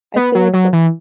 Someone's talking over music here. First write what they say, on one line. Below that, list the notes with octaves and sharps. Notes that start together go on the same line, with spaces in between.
I feel like the
B3
F#3
F#3
E3